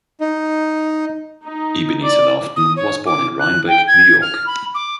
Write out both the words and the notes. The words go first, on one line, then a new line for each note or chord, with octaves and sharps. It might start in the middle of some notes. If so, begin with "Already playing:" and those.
Ebenezer Laughton was born in Rhinebeck, New York.
D#4
D#4
D5
D#6
C#5
D6
F#6
G5
G#6
F6
B5
D6